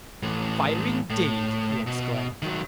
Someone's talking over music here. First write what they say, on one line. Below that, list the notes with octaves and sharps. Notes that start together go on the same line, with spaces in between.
"Fire, indeed!" he exclaimed.
A2 E3
A2
B2
D#3 F#3